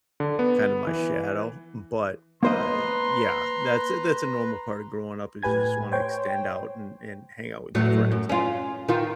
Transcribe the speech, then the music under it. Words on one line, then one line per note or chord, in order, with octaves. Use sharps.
kinda my shadow. But, uh, yeah, that's a that's a normal part of growing up, is you just wanna extend out and and hang out with your friends.
D3
B3
E3
A#3 B4 C5 D#5 A#5 C6
A2 G4 B4 G#5 G#6
C5 C#5 G5 C6
E2 A2 F#3
F#2
C#4 F4
D#3 F4